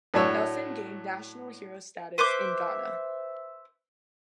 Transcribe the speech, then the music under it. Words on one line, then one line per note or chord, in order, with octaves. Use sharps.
Nelson gained national hero status in Ghana.
A2 F#3 D4 C#5 E6
B4 C5 E5 D6